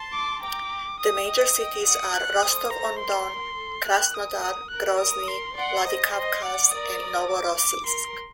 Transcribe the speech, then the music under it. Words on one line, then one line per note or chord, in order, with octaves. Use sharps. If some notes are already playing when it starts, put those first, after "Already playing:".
The major cities are Rostov-on-Don, Krasnodar, Grozny, Vladikavkaz, and Novorossiysk.
Already playing: A5 C6
D6
G5 A#5 D6
D#6
D#5 G5 D#6
D#5 G5
D5 F#5 D#6
F#6
A4 C5 D#6
A4 C5 A#5
A#4 C6
A4
A#4 F#6
D#6
D#6
A#4 F#6
D#6
C6
D5 F#5 C6
C5 D#5 D#6
C5 D#5 C6
D5 F#5 D6
A#4 D5 D#6
D6
D6
A#4 C6